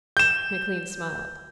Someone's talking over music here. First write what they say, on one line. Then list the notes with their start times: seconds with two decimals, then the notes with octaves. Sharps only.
McLean smiled.
0.17 G6 E7